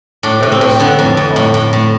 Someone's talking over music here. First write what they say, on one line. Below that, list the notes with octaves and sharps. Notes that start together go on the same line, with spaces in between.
Let us walk on.
A2 D4
A2
C4
A2
D3 B3
F2
F2
A2
A2
A2